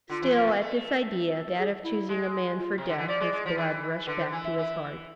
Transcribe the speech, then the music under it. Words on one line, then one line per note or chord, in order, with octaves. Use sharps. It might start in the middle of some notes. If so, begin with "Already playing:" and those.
Still, at this idea, that of choosing a man for death, his blood rushed back to his heart.
D3 F4
E3
F3
B3
A3
G#4
E4
G#3
F4
C3
D3
E3
F3 D5
G#3
G#3
F3
E3
D3 B4
C5
E3 G#5
E5
E3